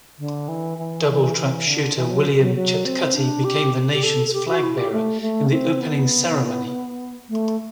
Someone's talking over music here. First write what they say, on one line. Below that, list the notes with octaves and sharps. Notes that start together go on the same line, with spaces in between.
Double trap shooter William Chetcuti became the nation's flag bearer in the opening ceremony.
D3
E3
E3
E3
E3
D3
E3
F#3
F#3
F#3
C4
D4
G4
G4
A4
A4
G4
F#4
E4
G4
A3
A3
D4
C4
B3
A3